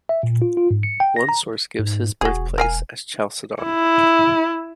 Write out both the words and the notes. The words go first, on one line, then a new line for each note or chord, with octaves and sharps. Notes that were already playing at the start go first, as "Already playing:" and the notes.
One source gives his birthplace as Chalcedon.
E5
A#2
F4
F4
G#2
C#7
G5
A#6
A#5
G#2
E1 F#4 G#4
A#4 F5 G#5
E4